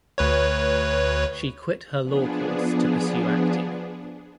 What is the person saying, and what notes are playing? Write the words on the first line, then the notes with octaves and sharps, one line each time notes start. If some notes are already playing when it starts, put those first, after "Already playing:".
She quit her law course to pursue acting.
D2 B4 C#5
F3 B3 D4 G#4